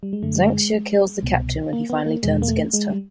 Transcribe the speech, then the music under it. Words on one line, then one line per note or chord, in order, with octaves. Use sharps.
Xanxia kills the Captain when he finally turns against her.
G3
G#3
F#2 D3 A3
G3
G#3
C2 B2
A#3
B3
A#3
E2 B2 G#3
A#3
A3
G#3
G3